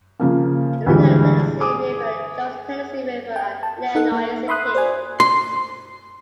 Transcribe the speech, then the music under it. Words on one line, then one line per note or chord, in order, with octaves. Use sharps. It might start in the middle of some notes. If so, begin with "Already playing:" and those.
The Little Tennessee River joins the Tennessee River at Lenoir City.
C#3 F3 A#3
D2 A#2 E3 G3 G#3
G#4 D6 D#6
G5
A5
D#4 A4 F#5
A#3
E5 B5 C6 D#6 F#6
C5 D5 G#5
C6